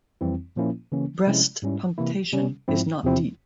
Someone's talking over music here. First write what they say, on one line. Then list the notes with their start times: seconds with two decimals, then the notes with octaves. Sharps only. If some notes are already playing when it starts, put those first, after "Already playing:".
Breast punctation is not deep.
0.21 F2 E3 G3 C4 E4
0.56 A#2 F3 A#3 C#4 E4
0.92 C#3 E3 A#3 C#4
1.27 C3 F3 G#3 C#4 E4
1.62 G#2 G3 C#4 E4
1.98 C3 E3 A#3 E4
2.33 C3 G3 C#4
2.68 G#2 F3 C4 E4
3.03 E2 C3 F3 C4 E4